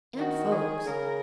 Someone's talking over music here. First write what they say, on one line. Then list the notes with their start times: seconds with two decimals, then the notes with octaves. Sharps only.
And folks.
0.16 D#3 F#4
0.52 G#4
0.86 C#3 A#4